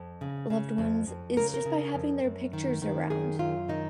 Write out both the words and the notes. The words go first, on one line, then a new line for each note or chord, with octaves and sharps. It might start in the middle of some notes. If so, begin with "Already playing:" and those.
loved ones is just by having their pictures around.
Already playing: F2
C#3
C#3
F2
F2
C#3 A#4
A#4
C#3
F2
F#2
D#3
D#3
F#2 G#4
F#2 F4
D#3 D#4